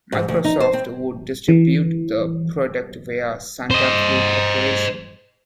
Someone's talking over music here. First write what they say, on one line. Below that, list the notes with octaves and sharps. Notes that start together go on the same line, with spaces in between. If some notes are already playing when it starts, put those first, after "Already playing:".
Microsoft would distribute the product via Santa Cruz Operation.
G#2
D2
D#4
C5
C4
E3
C5 D#5